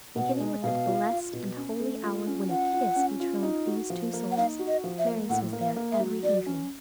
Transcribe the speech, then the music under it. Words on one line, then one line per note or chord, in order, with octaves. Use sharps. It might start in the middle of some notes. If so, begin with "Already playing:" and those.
Beginning with that blessed and holy hour when a kiss betrothed these two souls, Marius was there every evening.
B2 F#5
G#3
B2 F5
F4
F4
B2
C#4
A3
F4
C#4
F4 F#5
F4
C#4
F4
D#4
F#4
F3
A#3
F#5
D#4 F5
F#4
D#5
F3
E5
A#3
A2 F#5
A#3
F5
A#3
E5
F#3
F#3 D5
C#4